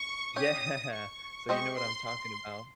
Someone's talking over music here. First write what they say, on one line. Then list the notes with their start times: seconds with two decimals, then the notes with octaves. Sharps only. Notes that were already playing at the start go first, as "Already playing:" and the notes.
Yeah, so you know what I'm talking about.
Already playing: C#6
0.36 C#4 G4 C#5 D#6
0.93 C#6
1.49 G#3 C4 G4 C5 D#5 C#6
1.77 C6
2.06 C6